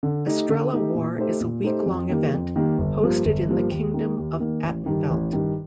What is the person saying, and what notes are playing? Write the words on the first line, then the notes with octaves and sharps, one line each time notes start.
Estrella War is a week-long event hosted in the Kingdom of Atenveldt.
D3
A3 D#4 G4
D3
A3 D#4 G4
A#2
A3 D#4 G4 C5
A#2
A3 D#4 G4 C5
F2
D#3 G3 A#3
F2
D#3 G3 A#3
G1
G2 F3 A#3
G1
G2 F3 A#3
D#2
D#3 A#3
D#2
D#3 A#3
A1
G2 D#3
A1
G2 D#3